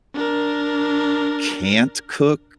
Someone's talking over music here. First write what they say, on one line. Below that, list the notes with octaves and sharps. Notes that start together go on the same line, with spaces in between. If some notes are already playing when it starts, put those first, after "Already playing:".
can't cook
D4 A#4